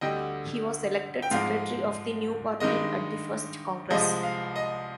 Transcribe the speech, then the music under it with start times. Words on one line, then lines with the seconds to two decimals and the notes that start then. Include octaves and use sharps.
He was elected secretary of the new party at the first congress.
0.01 D2 D3 G3 D#5 G5
1.22 G5
1.31 G#2 F3 G#3 F5
2.60 G2 D#3 G#3 D#5
3.90 C2 C3 F3 G#3 D#5
4.23 F5
4.56 D#5